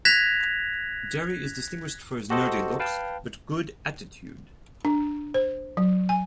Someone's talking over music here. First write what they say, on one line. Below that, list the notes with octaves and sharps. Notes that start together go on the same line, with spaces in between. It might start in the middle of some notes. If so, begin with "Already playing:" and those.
Jerry is distinguished for his nerdy looks but good attitude.
F#6 G#6 A#6 B6 E7 F7
F#4 G4 A4 C5 D#5
B4 F5 G5 A5
D4
C5
F#3
G#5